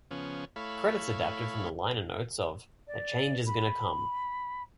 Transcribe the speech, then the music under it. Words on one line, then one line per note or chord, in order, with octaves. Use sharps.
Credits adapted from the liner notes of "A Change Is Gonna Come".
C#3 F3 B3 C#4
A3 E4 C#5 F5 B5
D5
B5